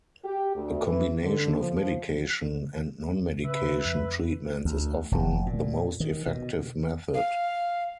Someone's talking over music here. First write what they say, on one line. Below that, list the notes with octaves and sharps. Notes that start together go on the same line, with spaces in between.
A combination of medication and non-medication treatments is often the most effective method.
G4
D2
E3
D3
F3
C#3 B4 E5
F2
D2
F1
A#2
D#3
B2
F5